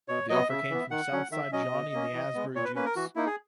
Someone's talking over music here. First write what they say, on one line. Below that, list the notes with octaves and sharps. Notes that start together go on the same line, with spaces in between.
The offer came from Southside Johnny and the Asbury Jukes.
B2 C#5
F#3 B3 D#5
C#3 E5
E3 B3
D#3 F#5
F#3 C#4
D#3 E5
F#3 C#4 D#5
B2
A#3 C#4
E3
G#3 B3
A#2 C#5
B4
A#3 C#4 B4
A#4
E3 F#4
A#3 D#4 E4
G#4